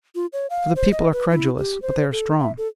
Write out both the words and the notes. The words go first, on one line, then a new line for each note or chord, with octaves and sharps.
For the people are credulous, but they are strong.
F4
C#5
F5
C5
D#5
B4
E4
G4
C5
A4
E5
A4